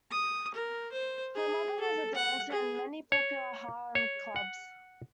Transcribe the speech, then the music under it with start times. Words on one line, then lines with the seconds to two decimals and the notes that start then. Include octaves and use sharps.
Her mother was a dancer in many popular Harlem clubs.
0.11 D#6
0.55 A#4
0.92 C5
1.36 G#4
1.80 A4
2.15 F#5
2.52 G#4
3.12 C#5
3.95 C#5
4.36 F#5